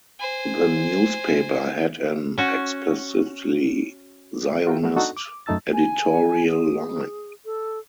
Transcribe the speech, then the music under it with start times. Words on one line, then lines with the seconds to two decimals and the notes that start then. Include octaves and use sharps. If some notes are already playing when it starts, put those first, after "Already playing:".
The newspaper had an explicitly Zionist editorial line.
0.19 C5 G#5
2.38 C#4 F#4
4.67 F4 F#4 A#4 E5 G5
4.83 F3 A3 B3 F#4
4.96 D4 D#4 F#4 A4
5.17 D6
5.46 F#2 A3 D#4 A5 E6 A6
5.73 G#5
6.48 G#4
7.45 A4